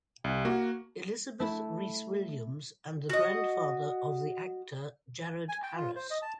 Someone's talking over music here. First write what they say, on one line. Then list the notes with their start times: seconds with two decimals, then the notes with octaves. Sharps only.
Elizabeth Rees-Williams and the grandfather of the actor Jared Harris.
0.24 C2
0.45 A#3 F#4
1.40 A3 E4
3.10 F#4 D#5
5.49 G#5
5.63 G5
5.76 F4
5.96 C5
6.11 D#5
6.22 A5